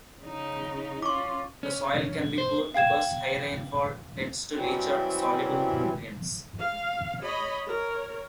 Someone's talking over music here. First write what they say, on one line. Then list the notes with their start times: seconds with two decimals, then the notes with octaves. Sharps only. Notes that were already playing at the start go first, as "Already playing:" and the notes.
The soil can be poor because high rainfall tends to leach out soluble nutrients.
0.21 C#3 D#4
1.02 C#4 F4 C#6 D6
1.63 C#4
2.38 C5
2.74 F5 G5 G#6 E7
4.55 E3 F#3 G3 C4 C#4 E4
6.59 F5
7.22 C#5 D#5 B5
7.67 A#4 C#5